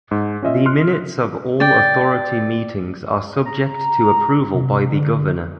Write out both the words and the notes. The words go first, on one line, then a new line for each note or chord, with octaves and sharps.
The minutes of all Authority meetings are subject to approval by the Governor.
G#2
C#4 F4 D#5 E5
C6 F6 F#6
D5 G5
A#5
C3
D3